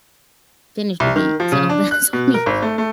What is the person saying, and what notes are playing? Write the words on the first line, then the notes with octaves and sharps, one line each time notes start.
finish the beat, so, that's on me,
C2
D#3
F3
C#3
D4
F#6
B2
A#4
G#1
A3
A3